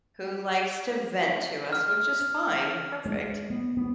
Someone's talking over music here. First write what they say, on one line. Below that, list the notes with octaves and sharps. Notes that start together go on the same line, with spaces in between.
who likes to vent to us, which is fine, perfect.
F6
G#3
B3
B3